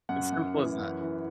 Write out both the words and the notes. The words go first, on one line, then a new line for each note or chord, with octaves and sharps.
It's simple as that.
F#2 F#5
F#2
E3
F#2
E3